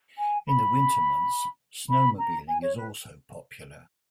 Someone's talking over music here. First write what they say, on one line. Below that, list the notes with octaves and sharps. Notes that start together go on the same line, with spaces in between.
In the winter months, snowmobiling is also popular.
G#5
B5
B5
A#5
G#5
C#5
B4